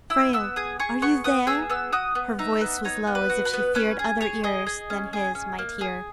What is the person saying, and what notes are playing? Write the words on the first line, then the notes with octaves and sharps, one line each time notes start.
"Frale, are you there?" Her voice was low as if she feared other ears than his might hear.
E4 E6
B3 E6
G#4 D#6
G#4 C#6
B3 C#6
B3 D#6
G#4 E6
B3 E6
F#4 D#6
B3
D#4 E5
B3
D#4 C#5
B3
B4
F#4
B4
B3
C#4 B4
G#4
G#4 C#5
G#4 D#5
G#4
C#4
G#4
C#4
A#3
G#4